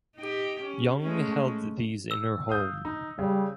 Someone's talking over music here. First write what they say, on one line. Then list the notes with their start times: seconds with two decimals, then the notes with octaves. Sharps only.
Young held these in her home.
0.16 D#4 G4
0.62 C#4
1.02 G#3 A3 C#4
2.11 E6
2.49 F5 D#6 G6
2.85 D#4
3.19 C#3 G3